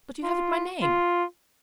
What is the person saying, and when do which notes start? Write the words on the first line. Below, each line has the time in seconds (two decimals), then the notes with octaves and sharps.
But you haven't my name.'
0.23 F4
0.82 F4